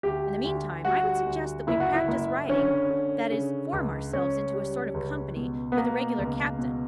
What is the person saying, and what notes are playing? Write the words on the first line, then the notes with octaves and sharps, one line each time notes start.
In the meantime, I would suggest that we practice riding--that is, form ourselves into a sort of company with a regular captain.
D2 G4
D2
G3 F#4
D2
F#1 E4
F#4
E4
F#1
D3 C#4
D3
C#3
C#2
C#2 C#4
G3
C#2
B2
B3
B2 A#3
C#2
B2